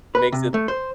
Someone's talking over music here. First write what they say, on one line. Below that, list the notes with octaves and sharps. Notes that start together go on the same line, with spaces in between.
It makes it
B4
C3
A3
C5